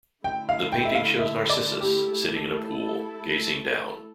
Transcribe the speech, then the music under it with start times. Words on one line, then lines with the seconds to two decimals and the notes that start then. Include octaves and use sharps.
The painting shows Narcissus sitting in a pool, gazing down.
0.24 D3 A3 E4 G5
0.49 F5
0.72 G5
0.85 E5
0.95 F5
1.19 E5
1.50 D5
1.81 G4
2.12 A3 E4 A4